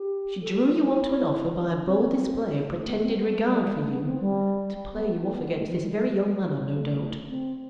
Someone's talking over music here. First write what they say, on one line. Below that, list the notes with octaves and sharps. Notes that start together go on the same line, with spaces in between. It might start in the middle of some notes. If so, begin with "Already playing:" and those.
She drew you on to an offer, by a bold display of pretended regard for you,--to play you off against this very young man, I've no doubt.
Already playing: G4
A4
G4
F4
E4
E4
D4
C4
A3
B3
C4
B3
A3
G3
G3
A3
B3
C4
G3
B3
A3
F3
G3
F3
G3
A3
C4